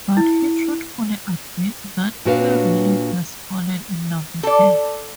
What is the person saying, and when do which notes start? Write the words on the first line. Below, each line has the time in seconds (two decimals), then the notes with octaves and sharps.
But he truthfully admits that he really has fallen in love with her.
0.17 E4
2.25 A#2 D4 F#4 B4 C#5 F5
4.43 A4 D5